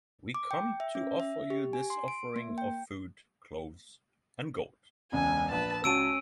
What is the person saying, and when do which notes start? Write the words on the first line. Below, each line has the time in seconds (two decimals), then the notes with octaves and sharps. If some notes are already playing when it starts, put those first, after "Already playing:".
We come to offer you this offering of food, clothes, and gold.
0.34 D6
0.51 G5
0.80 E5
0.95 C#4
1.20 E5
1.50 G4
1.73 G#5
1.90 C6
2.08 D7
2.36 A#3
2.58 G5
5.12 E1 C#2 G#5
5.51 A#1 B4 A5
5.84 C#2 C#4 F#4 A5 E6 D7 D#7